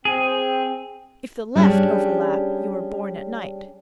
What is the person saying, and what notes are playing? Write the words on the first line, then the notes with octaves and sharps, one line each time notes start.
If the left overlap, you were born at night.
C4 G#4
G3 C#4 D4 G4 G#4